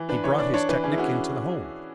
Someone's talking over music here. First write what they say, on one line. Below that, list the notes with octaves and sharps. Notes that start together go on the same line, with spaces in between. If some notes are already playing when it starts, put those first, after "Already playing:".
He brought his technic into the home.
Already playing: E3
D4 B4
E3 C#5
D4 D5
D4 C#5
E3 B4
C#4 G#4
E4
C#4 F#4